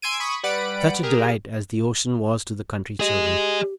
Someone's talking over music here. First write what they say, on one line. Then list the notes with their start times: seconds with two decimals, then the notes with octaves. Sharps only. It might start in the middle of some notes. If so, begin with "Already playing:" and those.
Such a delight as the ocean was to the country children!
0.02 G#5 C6 E6 G#6 D7 D#7
0.20 B5 C#6 D#6
0.43 G3 B4 D5 F#5 B5 D7
1.03 G4 G#4 A#4
3.00 G4 G#4 D#5